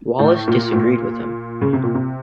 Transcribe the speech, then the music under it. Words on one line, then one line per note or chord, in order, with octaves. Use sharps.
Wallace disagreed with him.
A2
A#2
A2
A#2
C#3
C3
A#2
C3